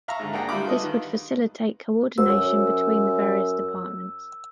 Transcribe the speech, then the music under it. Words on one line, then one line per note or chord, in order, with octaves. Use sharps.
This would facilitate coordination between the various departments.
E5 F5 A#5 C#6
G#2 D3
A#3 D4 G#4 F#5 G5 A#5
D3 G3 E4 F5 B5 D6
F4 A4 B4 D#5
D#3
F#4 C5 E6
F#2 C#5